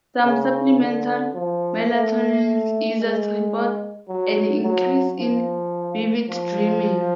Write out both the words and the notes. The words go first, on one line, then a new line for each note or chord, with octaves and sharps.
Some supplemental melatonin users report an increase in vivid dreaming.
C#3
D3
F3
A3
A3
G#3
F#3
F#3
F3
F3